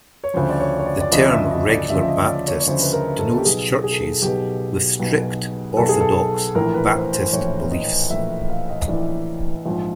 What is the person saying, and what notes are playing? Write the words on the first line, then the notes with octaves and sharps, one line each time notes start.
The term Regular Baptists denotes churches with strict, orthodox Baptist beliefs.
C#5
D2 C#3 F3 C5
D5
C#5
C#5
D5
D5
D2 C#3 F3 D#5
E5
D#5
D5
D2 C#3 F3 E5
E5
D#5
D5
C#5
C#5
D2 C#3 F3 C5
B4
A#4
A4
G4
B1 B2 G#4
G#4
A4
G#4
B1 B2 G4
B1 B2
B1 B2 A4
G#4
A4
A#1 A2 E3 A#4
B4
C5
C5
A#1 A2 E3 C#5
D#5
A#1 A2 E3 E5
F5
D#5
A#1 A2 E3 D5
A#1 G#2 F3